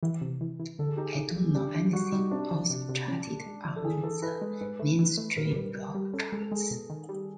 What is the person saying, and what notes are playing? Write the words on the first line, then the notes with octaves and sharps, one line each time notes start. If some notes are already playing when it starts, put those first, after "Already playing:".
"I Don't Know Anything" also charted on the Mainstream Rock charts.
E3
C3
E3
E3
D3 A4
G#4
D#4 G4
G#4
D#4
G3
D4 G4
D4
G3 F#4
G3 D#4
C3 D4
F3
C3
C3
C#4
A#2
G#3
F3
A4
E3 G#4
E3 A4
E4 B4
G#3
G#2 B4
A3
E3
A3
A#2 A#4
B4
G3 A#4
G3
G3
C#4 A4
G#3 A4
A4
G#3 G#4
B2
D#3
G3